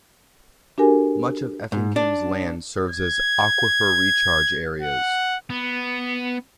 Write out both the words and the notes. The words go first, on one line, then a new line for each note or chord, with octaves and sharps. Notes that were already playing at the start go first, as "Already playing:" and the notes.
Much of Effingham's land serves as aquifer recharge areas.
D4 F#4 G4 A4 A#4 G#5
G#2
D4
G#6
F#5
B3